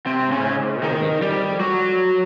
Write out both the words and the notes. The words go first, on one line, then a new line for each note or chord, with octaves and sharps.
No, we don't live together.
C3 C4
C#3 C#4
D#3 D#4
G3 G4
F#3 F#4